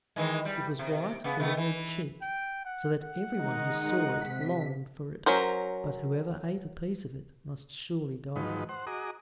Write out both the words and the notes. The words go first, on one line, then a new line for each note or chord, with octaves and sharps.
It was white with a red cheek, so that every one who saw it longed for it; but whoever ate a piece of it must surely die.
D#3 E3 G#3
G3
C3
C#3 B3
D#3 A3 B3
E3
G5
F#5
F#5
D#3 G#3 D#4
C3 B6
F#3 C#4 A#4 C5
G#2 D#3 F3 F#3 D#4 B4
C5 F#5
F#4 G#4 D#5 A#5 D6 D#6